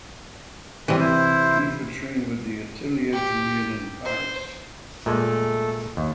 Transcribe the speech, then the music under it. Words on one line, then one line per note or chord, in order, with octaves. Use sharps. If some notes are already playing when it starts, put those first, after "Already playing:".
Kiefer trained with the Atelier Julian in Paris.
C3 E3 G3 G#3 C4
E4 C5
G4
C5
A#2 G#3 A3 A4
D#2